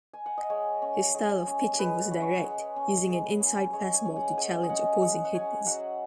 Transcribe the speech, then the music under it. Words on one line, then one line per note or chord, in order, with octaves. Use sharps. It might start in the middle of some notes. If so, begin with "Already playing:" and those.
His style of pitching was direct; using an inside fastball to challenge opposing hitters.
G#5
F#5
D#5
G#3 C#5
C#4
G#3
C#4
G#3 B4
F#5
C#4
C#5
G#3
C#4
G#3
C#4
G#3 C#5
G#5
C#4
F#5
G#3 G#5
D#5
C#4 F#5
G#3 F#5
F#5
C#4 G#5
F#3 F#5